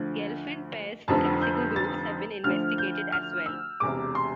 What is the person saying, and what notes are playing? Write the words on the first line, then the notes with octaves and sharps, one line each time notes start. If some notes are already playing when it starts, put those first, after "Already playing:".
Gelfand pairs for classical groups have been investigated as well.
Already playing: D2 D3 F3
F1 F2 D3 F3 A5
G6
A6
D2 D3 F3 F6
G6
F6
E6
E1 E2 C3 D6
C6